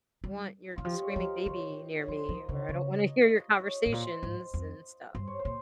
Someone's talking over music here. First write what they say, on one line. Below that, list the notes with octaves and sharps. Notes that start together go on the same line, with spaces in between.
want your screaming baby near me," or, "I don't wanna hear your conversations and stuff."
G3
D#3 F4
F3 G4
D#5
C#5
C5
F3 A#4
C5
D#3 C#5
C#5
F3 C5
F3 D#5
C#3 C#5
C#3 C#5
D#5
D#5
C#5
G#2
A#2 C5
G#2
F2
G2 C5
C#5
C5
A#2